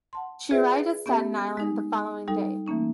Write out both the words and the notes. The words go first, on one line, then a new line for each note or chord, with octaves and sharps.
She arrived at Staten Island the following day.
F#5 A5 C6
F4 G#4 B4 D5 E5
B3 C#4 G4 A4 E5
G#3 D#4
G3 D#4 A4
E3 A3 A#3 C#4 D#4